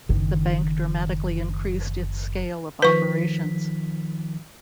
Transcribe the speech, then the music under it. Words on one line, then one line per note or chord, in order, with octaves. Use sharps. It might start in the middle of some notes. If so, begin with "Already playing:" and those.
The bank dramatically increased its scale of operations.
F#1 D#3
D#3 F3 B4 C#6 B6